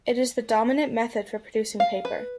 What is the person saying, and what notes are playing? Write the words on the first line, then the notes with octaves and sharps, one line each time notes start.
It is the dominant method for producing paper.
F5
B4